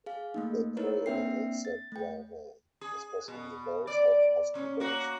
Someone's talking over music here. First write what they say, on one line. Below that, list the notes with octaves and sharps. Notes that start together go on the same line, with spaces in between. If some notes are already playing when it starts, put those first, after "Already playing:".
They prey on insect larvae, especially those of mosquitos.
G#4 F5
A3 A#3 D#4
D#4 E4 A#4 B4 C#5
A#3 C4 D4 E5 G5 C7
A6
A3 G5
G#4
B2
D5
A#2 C#4
A#3 F#4